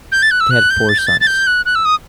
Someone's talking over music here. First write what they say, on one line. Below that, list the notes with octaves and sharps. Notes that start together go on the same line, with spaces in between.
They had four sons.
G6
A6
F#6
E6
F#6
G6
A6
G6
A6
A6
G6
F#6
F#6
E6
D#6